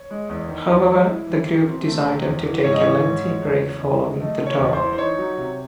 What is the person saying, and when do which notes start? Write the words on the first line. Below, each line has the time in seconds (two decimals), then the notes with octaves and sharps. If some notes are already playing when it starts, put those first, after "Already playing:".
However, the group decided to take a lengthy break following the tour.
Already playing: C#5
0.11 G#3
0.29 E2
0.49 D#3
0.69 E2
0.88 G#3
1.08 E4
1.27 E3
1.47 F#2
1.66 C4
1.86 A3
2.05 C3
2.25 E2
2.45 E3
2.63 G#2 C#5
2.73 D#5
2.80 E3 C#5
3.03 G#2
3.23 G#3
3.43 E2
3.62 C#3
3.82 E2
4.00 G#3
4.20 A3 D#5
4.40 C#3
4.46 C#5
4.59 E2
4.73 C5
4.79 E3
4.93 C5
4.98 D#4 C#5
5.18 F#3
5.38 C3